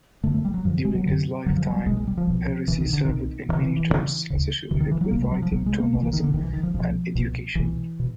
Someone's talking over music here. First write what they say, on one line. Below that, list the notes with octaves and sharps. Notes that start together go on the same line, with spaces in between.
During his lifetime, Hersey served in many jobs associated with writing, journalism and education.
F#2 D3 A3
A3
G3
F#3
F#2 D3 F3
G#3
F#3
F#2 D3
F#2 D3 F#3
F3
F#3
G3
C2 B2 G#3
G#3
G3
F3
C2 B2
C2 B2 E3
D#3
D3
C2 B2 D#3
D2 C#3 E3
E3
E3
D2
C#3
D2 C#3
D2 C#3 E3
D#3
E3
F#3
C2 C3 A#3
G#3
F#3
F3
C2 C3 F#3
G#3
A#3
C2 C3 A3
E3
D#3
D3
C2 C3 D#3
E3
D#3
F3
C2 B2 F3
C2 B2
C2 B2 E3
B2